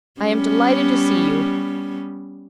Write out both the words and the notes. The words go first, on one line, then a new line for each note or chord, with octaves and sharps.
I am delighted to see you.
G3 B3 C#4